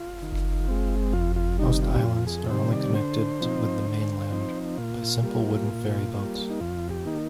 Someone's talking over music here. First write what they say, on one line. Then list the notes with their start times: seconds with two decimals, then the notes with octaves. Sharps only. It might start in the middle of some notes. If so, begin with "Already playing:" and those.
Most islands are only connected with the mainland by simple wooden ferryboats.
Already playing: F4
0.22 D#3
0.68 G#3 C4
1.13 F2 F4
1.36 F4
1.58 C3 D#3 G3 D#4
1.82 F4
1.94 G4
2.04 F2 F4
2.27 G#4
2.50 C3 D#3 G3 C5
2.73 D5
2.95 D3 C5
3.41 F3 C4 D#4
3.87 D3
4.32 F3 C4 D#4
4.77 A#2 F4
5.23 G3 A#3
5.69 A#2
6.14 G3 A#3
6.50 D#4
6.60 F2 F4
6.90 G4
7.06 D#3 A#3 D#4